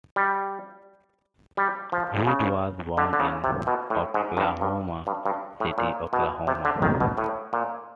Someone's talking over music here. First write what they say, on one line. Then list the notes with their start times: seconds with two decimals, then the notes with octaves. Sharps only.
Woods was born in Oklahoma City, Oklahoma.
0.16 G3
1.57 G3
1.92 F3
2.27 C#3
2.97 D3
3.13 D3
3.20 C#3
3.44 C3
3.67 B2
3.90 A2
4.14 G#2
4.37 G2
4.61 G2
5.07 G2
5.25 G2
5.60 A2
5.78 A#2
6.13 B2
6.47 C3
6.65 D3
6.82 D#3
7.00 B2
7.18 A2
7.53 A#2